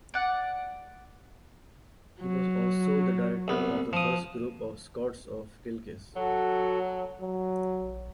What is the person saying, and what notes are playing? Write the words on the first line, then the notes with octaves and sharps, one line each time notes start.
He was also the director of the first group of scouts of Kilkis.
D5 F#5
F#3
C2 B3
F3 D#6
F#3 F#4 A4
F#3